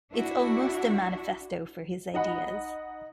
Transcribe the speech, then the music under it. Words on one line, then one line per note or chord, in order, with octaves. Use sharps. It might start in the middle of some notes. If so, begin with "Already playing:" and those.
It's almost a manifesto for his ideas.
D4 E4 F#4
D#4 D#5 F#5 B5